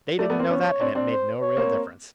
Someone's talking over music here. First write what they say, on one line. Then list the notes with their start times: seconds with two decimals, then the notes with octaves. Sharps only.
But they didn't know that, and it made no real difference.
0.19 G3 A3 D5
0.30 A3 B3
0.39 A#3 C4
0.50 B3 C#4 C#5
0.80 C4 D4
0.95 C4 D4
1.12 C5
1.41 C#5
1.57 A#3 C4